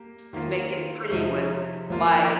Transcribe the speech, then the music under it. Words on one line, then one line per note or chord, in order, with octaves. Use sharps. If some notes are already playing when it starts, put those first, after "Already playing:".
then make it pretty with my
Already playing: A#3 G4
D#3 A#3 F4
C3 F3 D#4 C5
F3 A#3 F4 A#4